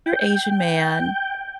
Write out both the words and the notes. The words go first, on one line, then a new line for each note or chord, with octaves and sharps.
Asian man
G5